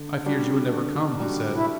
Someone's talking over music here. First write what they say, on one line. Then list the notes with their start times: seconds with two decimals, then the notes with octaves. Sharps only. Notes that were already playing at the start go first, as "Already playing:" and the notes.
"I feared you would never come," he said.
Already playing: D3
0.26 G3 D4 F#4
0.73 D3
1.20 G3 D4 F#4
1.56 E4